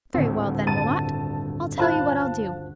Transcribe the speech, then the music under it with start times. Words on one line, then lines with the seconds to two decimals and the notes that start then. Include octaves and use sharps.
Very well, then, Wilmot, I'll tell you what I'll do.
0.14 D#1 D2 A2 C4 E4
0.67 G2 A5 A6 D#7
1.78 F4 C5 F5 A5 B5 F#6